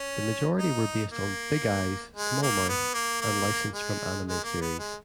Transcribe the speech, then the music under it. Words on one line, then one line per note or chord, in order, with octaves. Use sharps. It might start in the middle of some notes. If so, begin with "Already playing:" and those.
The majority were based on "Big Eyes, Small Mouth" and licensed from anime series.
Already playing: C#4
D#4
A#3
G#3
A#3
B3
A#3
A#3
G#3
G#3
A#3
B3
G#3